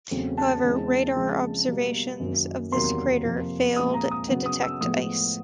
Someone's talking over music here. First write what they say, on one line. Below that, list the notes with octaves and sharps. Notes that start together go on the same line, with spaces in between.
However, radar observations of this crater failed to detect ice.
E2 C#3 F#3 A3 C4
A5
E2 C#3 E3 G#3 C4
C#3 F3 G#3 C4
B2 G3 A#3
F#2 D#3 F#3 A#3
E2 C3 D#3 F#3 A#3 C6
F2 C3 F3 A#3
A#2 F3 G#3 C4 D#6
A#5
D#6
C#3 F#3 B3
D#6
E6
A2 F3 G#3 B3 D#6